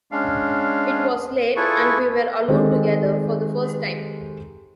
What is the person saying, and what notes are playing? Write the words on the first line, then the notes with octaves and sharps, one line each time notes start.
It was late, and we were alone together — for the first time.
G#3 C#4 D4 F5
E4 F4 G#4 A4 B4 C#6
D#3 G#3 C4 G4 A4